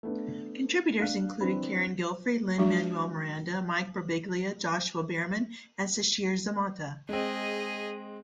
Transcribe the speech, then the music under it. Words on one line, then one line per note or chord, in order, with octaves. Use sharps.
Contributors included Carin Gilfry, Lin-Manuel Miranda, Mike Birbiglia, Joshua Bearman, and Sasheer Zamata.
A3 B3 D4
D4 F5 F#6
E3 C4 D4 B5
F3 F#3 G#3 D4 F#4
G#3 C4 G#4 D#5